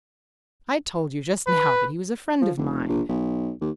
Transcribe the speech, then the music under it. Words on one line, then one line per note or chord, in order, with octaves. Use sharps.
"I told you just now that he was a friend of mine."
B4
F3
F1
A#1
B1
D#2